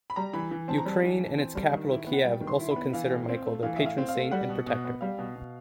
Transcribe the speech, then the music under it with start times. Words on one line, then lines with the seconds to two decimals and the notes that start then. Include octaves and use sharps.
Ukraine and its capital Kiev also consider Michael their patron saint and protector.
0.10 B5
0.16 G3 A#5
0.33 E3 B5
0.51 E3
0.68 C4 A5
0.78 A#5
0.85 G3 A5
1.03 E3
1.21 E3
1.37 C4
1.55 G3
1.72 D#3
1.90 E4
2.07 B3
2.13 F#5
2.24 G3 G5
2.41 D#3
2.47 C6
2.59 E4
2.71 B5
2.76 B3
2.93 E3 F5
3.11 A2
3.29 C4
3.45 A3
3.63 E3 F5
3.76 A2 E5
3.86 F5
3.98 C4
4.08 F5
4.15 A3
4.31 G3 F#5
4.49 B2
4.67 B2
4.85 B3
5.01 G3 F5
5.18 B2
5.36 B2